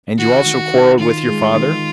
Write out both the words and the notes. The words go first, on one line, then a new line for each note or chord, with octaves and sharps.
"And you also quarreled with your father?"
D#3 F#4
D#3
D#3
D#3 F4
G#3
D#3